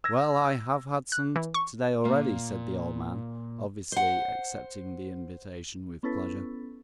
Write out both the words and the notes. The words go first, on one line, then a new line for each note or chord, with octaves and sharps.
"Well, I have had some today already," said the old man, obviously accepting the invitation with pleasure.
E6 G#6 A#6
F#6
E3
C#6
A#2 A#3
C5 F#5
B3 C#4 E4 A4 B4